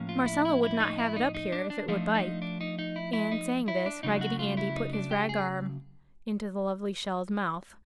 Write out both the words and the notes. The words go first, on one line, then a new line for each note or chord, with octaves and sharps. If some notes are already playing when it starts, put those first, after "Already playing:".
"Marcella would not have it up here if it would bite!" And, saying this, Raggedy Andy put his rag arm into the lovely shell's mouth.
Already playing: A2 F3 A#3 C#4
F4
E4
E4
E4
D#4
E4
D#4
D#4
D4
D4
F3 A3 D4 D#4
D#4
D4
D#4
D#4
E4
E4
D#4
E4
D4
C#3 F#3 A3 D#4
F#4
F4
E4
D#4
D4
G4
G#4